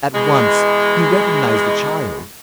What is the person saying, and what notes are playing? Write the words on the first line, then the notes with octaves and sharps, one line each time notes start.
At once he recognized the child.
B2 E3 G#3